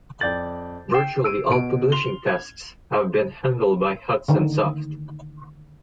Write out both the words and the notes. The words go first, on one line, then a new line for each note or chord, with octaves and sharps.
Virtually all publishing tasks have been handled by Hudson Soft.
F2 D5 G6 A6 F#7
G5 C7 E7
E6 D7 D#7
B2 D7
C6 F7 G7
G#6
D3 D#3